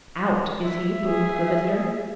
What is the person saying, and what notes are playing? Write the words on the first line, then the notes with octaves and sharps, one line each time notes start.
"Out, is he?" boomed the visitor.
E5
G#4